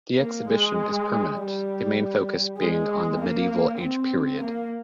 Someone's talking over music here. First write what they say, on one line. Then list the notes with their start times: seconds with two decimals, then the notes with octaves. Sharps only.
The exhibition is permanent, the main focus being on the Medieval age period.
0.18 A#3
0.48 G#3
1.38 G3
2.58 G#3
3.19 A#3
3.78 C4
4.38 A#3